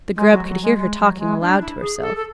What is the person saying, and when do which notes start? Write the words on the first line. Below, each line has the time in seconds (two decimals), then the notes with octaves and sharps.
The Grub could hear her talking aloud to herself.
0.16 G#3
0.31 F#3
0.47 F#3
0.62 G#3
0.78 G#3
0.99 F#3
1.15 F#3
1.19 G#3
1.40 D4
1.61 E4
1.80 G#4
2.01 A4
2.16 A4